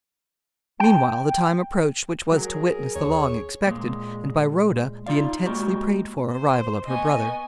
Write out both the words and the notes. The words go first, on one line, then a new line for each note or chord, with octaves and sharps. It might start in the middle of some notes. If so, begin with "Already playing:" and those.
Meanwhile the time approached which was to witness the long expected, and, by Rhoda, the intensely prayed for arrival of her brother.
G5
F#3 G#4 A#4
D#2 C#5
A#2 G#3
D#4 F4 D5 F5
B1 G#3 A#3 F#4 G4
C5
B3 D#5 G#5 C#6